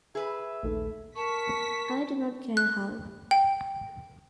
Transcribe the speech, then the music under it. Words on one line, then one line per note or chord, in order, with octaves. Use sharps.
I do not care how.
G#4 B4 E5
A#1 D#2 A3
A#4 A5 C#6 B6
F#6
G5